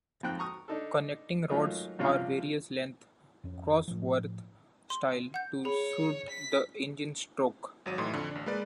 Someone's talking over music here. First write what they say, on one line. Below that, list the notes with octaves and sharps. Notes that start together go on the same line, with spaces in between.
Connecting rods are various length, Cosworth style, to suit the engine stroke.
F2 G#2 C4 G5 F#6
A#5 C#6 D#6
D4 D#4 A4
G#2 D#3 F#3 A3 D#4 F4
A#1 G2 C3 C#4 F4 F5
F2 C#4
A2 F3
C6
F#5 G6
G#4 C#5 B5
B6
G#1 F#3 D#7
A2 E3 D#4 C6
F2 D3
A1 D4
G#3 A#3 B4 D5